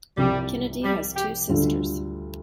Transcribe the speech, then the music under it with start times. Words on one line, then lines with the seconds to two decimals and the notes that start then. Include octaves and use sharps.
Kennedy has two sisters.
0.17 C2 C3 F3 G3
0.83 G3
1.16 G4
1.49 D2 D3 G3 F4